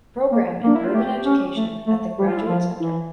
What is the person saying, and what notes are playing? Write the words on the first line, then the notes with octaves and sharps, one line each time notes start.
Program in Urban Education at The Graduate Center.
A#3
A#3 D4
E4
F4
A3 G4
C#4
A3
A3
G3 G4
F4
E4
F3 F4
E3 E4